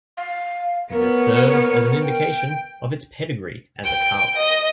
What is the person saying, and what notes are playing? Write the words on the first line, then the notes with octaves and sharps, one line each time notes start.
This serves as an indication of its pedigree as a calque.
F5
B3 A#4 C#5
G5
G5
D#5